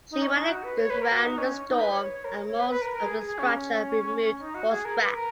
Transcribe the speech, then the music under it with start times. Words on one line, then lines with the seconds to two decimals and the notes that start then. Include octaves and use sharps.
She ran aground in a storm and most of the structure removed for scrap.
0.11 D#4
0.22 C#4
0.33 D#4
0.48 F#4
0.63 B4
0.77 C#5
0.90 B4
1.01 A#4
1.11 F#4
1.23 D#4
1.37 C#4
1.68 D#4
1.79 B4
1.90 C#5
2.02 C#5
2.13 C#5
2.24 A#4
2.36 C#5
2.47 C#5
2.59 B4
2.70 B4
2.81 A#4
2.92 A#4
3.03 G#4
3.26 G#4
3.38 C#4
4.39 D#4
4.54 F#4
4.70 G#4
4.84 A#4
4.99 B4
5.14 A#4